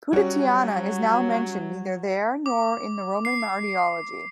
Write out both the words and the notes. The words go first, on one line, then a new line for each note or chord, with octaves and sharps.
Pudentiana is now mentioned neither there nor in the Roman Martyrology.
F#3 G3 C#4 F#4
D6
C7